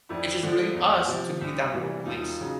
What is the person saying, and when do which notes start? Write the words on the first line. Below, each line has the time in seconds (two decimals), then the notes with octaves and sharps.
It's just really us to be that world police.
0.09 F2 D4 E4
0.43 D3 F3
0.75 E2
1.08 C3 F3
1.41 C2
1.74 C3 E3 G3
2.05 E1 D#4 F4
2.41 C#3 F#3